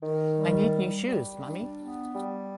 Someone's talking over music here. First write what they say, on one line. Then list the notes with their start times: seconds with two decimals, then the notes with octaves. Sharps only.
I need new shoes, mommy!
0.02 D#3
0.37 G3
0.72 G3
1.07 G3
1.42 D4
1.78 B3
2.13 G3